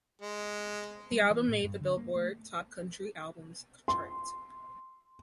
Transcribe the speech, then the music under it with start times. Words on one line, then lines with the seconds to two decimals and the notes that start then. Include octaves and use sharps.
The album made the "Billboard" Top Country Albums chart.
0.22 G#3
1.12 G3
1.30 E3
1.48 A2
1.64 G2
1.81 D3
1.97 A#3
2.15 A3
3.88 C6